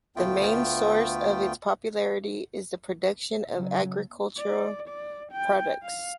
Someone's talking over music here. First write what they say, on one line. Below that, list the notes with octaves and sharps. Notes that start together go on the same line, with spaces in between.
The main source of its popularity is the production of agricultural products.
D2 A3 B3 F4 G5
C#3 F#3
D5
D5
G5
F5